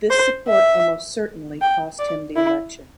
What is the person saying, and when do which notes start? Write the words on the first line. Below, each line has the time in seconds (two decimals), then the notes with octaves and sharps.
This support almost certainly cost him the election.
0.10 C5
0.49 E5
1.61 G5
1.99 D5
2.37 E4